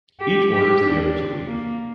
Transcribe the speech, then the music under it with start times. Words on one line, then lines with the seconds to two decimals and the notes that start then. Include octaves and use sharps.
Each orders the other to leave.
0.20 G4
0.51 G4
0.83 D4
1.46 A#3